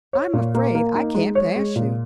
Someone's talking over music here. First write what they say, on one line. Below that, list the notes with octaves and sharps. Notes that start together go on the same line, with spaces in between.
"I'm afraid I can't pass you."
C#5
A#2
A#3
A#3
D#4
G#3
C#5
G#3
A#2